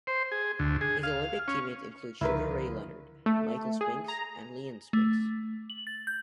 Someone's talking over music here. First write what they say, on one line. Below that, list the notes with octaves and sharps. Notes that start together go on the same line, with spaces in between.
His Olympic teammates included Sugar Ray Leonard, Michael Spinks and Leon Spinks.
C5
G#4
D2
G#4
F5
C#4
C#2 D3 D#3 F3 E4 A#4 B4
A3
G#4
A#5
A3
F#7
A6
G6